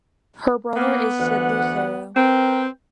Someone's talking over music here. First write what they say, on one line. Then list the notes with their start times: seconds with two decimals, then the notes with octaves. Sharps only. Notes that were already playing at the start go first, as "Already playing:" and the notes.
Her brother is Sid Lucero.
0.76 A#3 B3
1.19 D2 E3 F#5
2.16 C4 A#4 B4 G5